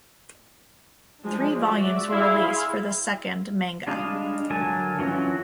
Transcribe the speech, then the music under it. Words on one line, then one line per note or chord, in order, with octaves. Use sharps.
Three volumes were released for the second manga.
F3 G#3 D4
F#4 D5 E5
E4 G#4 F5 C6
G3 G#3 D4 D#5 F5
D3 F#3 A#4 G#5 A5
E3 F#3 C#4 F4 F#4